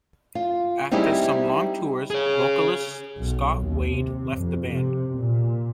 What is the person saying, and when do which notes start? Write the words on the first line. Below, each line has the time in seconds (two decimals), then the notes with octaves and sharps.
After some long tours, vocalist Scott Wade left the band.
0.35 F4
0.91 G3 C4 D#4 E4 G4 G#4
2.10 G#4 C#5
3.19 B1
3.59 D#2
3.93 C3
4.36 F2
4.71 C3
5.16 A#2